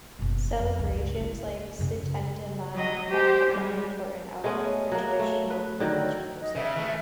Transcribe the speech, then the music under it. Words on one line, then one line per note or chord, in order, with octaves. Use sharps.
Celebrations like Syttende Mai have become an important outlet for traditional Norwegian music.
F#1 B2
F2
C#2 G2
E4
F#2 C#3
F#3 D#5
G4 C5
G3 G#3
G#3 A3 B3 C#4
F#3 A#3
A3
B4
D3 D#3 F#3
D#5
C#3 E5
E3 A3